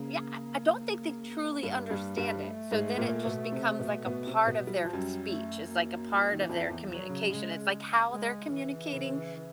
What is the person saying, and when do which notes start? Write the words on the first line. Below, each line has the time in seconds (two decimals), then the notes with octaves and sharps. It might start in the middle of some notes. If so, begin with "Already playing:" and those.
Yeah, I I don't think they truly understand it, so then it just becomes, like, a part of their speech. It's, like, a part of their communication. It's, like, how they're communicating,
Already playing: C#3 A#3
1.63 G2 G3
1.90 G2 G3
2.17 G2 G3
2.44 A3
2.71 G#2 G#3
2.98 A#2 A#3
3.25 B2 B3
3.52 C3 C4
3.79 B2 B3
4.06 B2 B3
4.27 C3 C4
4.46 B2 B3
4.67 G3
4.76 F#3
4.85 F3 G3
4.93 F#2 F#3
5.28 A3
5.68 A#3
6.32 D#3
6.40 E3
6.49 F2 F3
6.69 E2 E3
6.90 F#3
7.09 C#3
7.30 C#3 G#3
8.11 G#3
8.52 E3
8.93 C#3